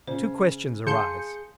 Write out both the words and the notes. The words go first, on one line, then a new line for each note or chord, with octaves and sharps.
Two questions arise.
A#2 C#3 C5
C#3 G#4 F5 A5 C6 G6 C#7